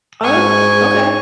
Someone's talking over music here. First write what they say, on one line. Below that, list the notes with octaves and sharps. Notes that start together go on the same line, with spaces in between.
Oh, okay.
G#2 G#5 C#6